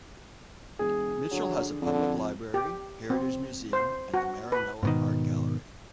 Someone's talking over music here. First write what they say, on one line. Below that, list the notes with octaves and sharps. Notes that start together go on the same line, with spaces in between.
Mitchell has a public library, heritage museum and the Maranoa art gallery.
E1 G#4
D3 F#3
F2 D3
G4
C4
C5
F#4
B4
G#2 B2 D#3